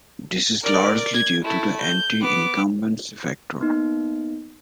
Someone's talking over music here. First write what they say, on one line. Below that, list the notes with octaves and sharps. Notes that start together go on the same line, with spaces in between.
This is largely due to the anti-incumbency factor.
A#4 D5
G#6
A3 E4
G6
B3 D6
A#3 B3 D#4